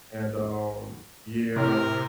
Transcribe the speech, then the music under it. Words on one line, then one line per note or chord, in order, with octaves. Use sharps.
and, um, yeah,
A2 C3 A#4